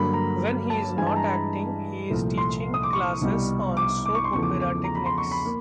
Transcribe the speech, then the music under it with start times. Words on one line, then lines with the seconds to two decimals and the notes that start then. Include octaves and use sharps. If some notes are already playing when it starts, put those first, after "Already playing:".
When he is not acting, he is teaching classes on soap opera techniques.
Already playing: G2 D3 F#3 A#3 B5
0.13 A#5
0.70 A5
0.97 G2 E3 G#3 G#5
1.07 A5
1.16 A#5
1.26 B5
2.09 C2 A#2 F3 A3
2.38 C6
2.74 D#6
2.83 D6
2.93 C#6
3.21 C2 B2 G3
3.77 D6
4.06 D6
4.15 C#6
4.24 C6
4.33 E2 C#3 F3 A3 C#6
4.43 D6
4.61 D6
4.84 A#5
4.95 B5
5.06 C6
5.18 C#6
5.31 B5
5.45 A#3